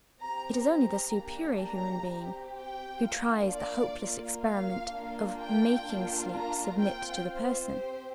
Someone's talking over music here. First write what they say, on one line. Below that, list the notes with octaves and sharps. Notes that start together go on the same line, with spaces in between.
It is only the superior human being who tries the hopeless experiment of making Sleep submit to the Person.
C4 G4 A#5
A#5
A#3 D4 G4
A#5
C4 G4
G5
A#3 D4 F4
D5
A#3 F4
F5
A#3 D4 F4
G5
A#3 D4 F4
A#5
C4 F4 G5
C5
C4 G4